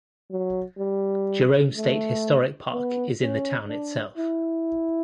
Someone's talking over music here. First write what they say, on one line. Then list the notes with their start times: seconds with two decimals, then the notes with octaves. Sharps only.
Jerome State Historic Park is in the town itself.
0.31 F#3
0.78 G3
1.76 A3
2.72 B3
3.21 C#4
3.69 D4
4.18 E4